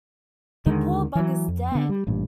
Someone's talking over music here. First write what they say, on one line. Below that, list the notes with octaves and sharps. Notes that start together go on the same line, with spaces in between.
The poor bugger's dead!
D#2 D3 D#3 G#3
E3 F#3
F2
D3 B3
G3
A1 G2 A#2